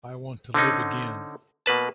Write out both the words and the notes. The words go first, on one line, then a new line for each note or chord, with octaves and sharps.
I want to live again.
D3 C4 C#4 D#4
B2 A#3 B4 A5